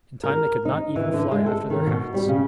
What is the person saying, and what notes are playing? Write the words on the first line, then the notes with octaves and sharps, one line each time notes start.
In time they could not even fly after their hats.
A#4
D#4
E3
D3
G#3
A4
D#3
B2
G3
C#3